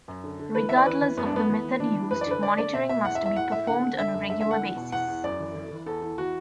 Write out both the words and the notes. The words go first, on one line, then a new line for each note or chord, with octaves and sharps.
Regardless of the method used, monitoring must be performed on a regular basis.
F#2
D3
D3
E3 B4
E2 E5
D5
E3 B4
E3
F#2 B3
D4
F#2 B3
E3
E3
E3 D4
E3
F#2 B4
D5
D3 B4
D3 D5
D3 D5
B2 E5
B2 E5
E2 F#5
E5
E2
E5
A2 F#5
A2 E5
D3 F#5
D3
D3 E5
F#2
D3 E5
E5
D3 F#5
E2
B2
E2 F#5
E2
F#2 D5
E3
E3
E3
E2 A4
E2
E3 F#4